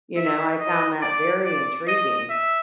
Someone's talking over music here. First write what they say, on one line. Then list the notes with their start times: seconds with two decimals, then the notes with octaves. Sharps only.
You know, I found that very intriguing.
0.16 E5
0.59 D#5
1.02 D5
1.44 D5
1.88 D#5
2.30 E5